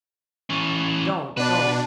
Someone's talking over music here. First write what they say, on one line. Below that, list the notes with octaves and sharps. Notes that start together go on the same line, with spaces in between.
'Don't, don't!
E3 C#4
B2 D4 B4